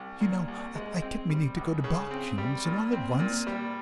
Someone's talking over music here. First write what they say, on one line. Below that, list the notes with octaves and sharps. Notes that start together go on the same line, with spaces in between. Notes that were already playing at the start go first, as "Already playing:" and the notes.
"You know, I kept meaning to go to Botkin's, and all at once...."
Already playing: C2
A#2
C2
G#3
C4
G3
C#2
C#3
C4
G3
A#2
C4
A#2
G3